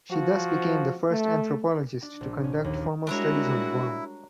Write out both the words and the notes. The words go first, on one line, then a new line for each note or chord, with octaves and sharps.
She thus became the first anthropologist to conduct formal studies on Guam.
F3 F#4
A3
D4
A#1
C#4
D#2
G3 G#3 D4 E4 F#4 A#4 C#5